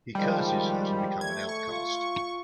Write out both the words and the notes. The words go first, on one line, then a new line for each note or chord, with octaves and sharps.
He curses her to become an outcast.
D#3 F3 G3 G#3
A3 G#6
C#6
F4